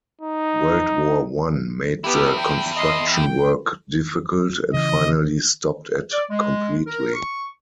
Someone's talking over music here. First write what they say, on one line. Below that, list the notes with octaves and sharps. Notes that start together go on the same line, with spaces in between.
World War One made the construction work difficult, and finally stopped it completely.
D#4
E2 B3 E4 G4
G5
D#5 C6
G5
C#3 E3 D#5
D5
G#3
A#4
C#6